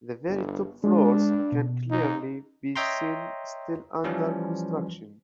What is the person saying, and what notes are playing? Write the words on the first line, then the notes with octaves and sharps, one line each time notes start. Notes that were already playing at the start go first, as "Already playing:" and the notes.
The very top floors can clearly be seen still under construction.
G1
G#3 D4
B2
D#4
C#5 D#5 E5 G5 A#5 C6
E3 F3 G3 C#4